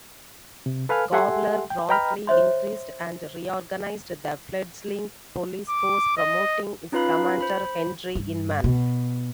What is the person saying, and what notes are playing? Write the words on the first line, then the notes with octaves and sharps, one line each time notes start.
Gawler promptly increased and reorganized the fledgling police force, promoting its commander Henry Inman.
C3
A4 B4 F5 G#5 F6
G4 A4 E5 F#5 G#5 C6
G5
B4 D#5 G5 A#5 B5 F6
C5 C#5 E5 C6
D6
D#5
C#4 D#4 F4 B4 F5 B5
C5 B5
G2
B2